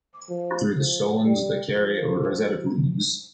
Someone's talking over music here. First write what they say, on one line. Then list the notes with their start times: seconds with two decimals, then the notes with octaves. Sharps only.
Through the stolons that carry a rosette of leaves.
0.29 F3
0.77 F3
1.25 G3
1.73 F3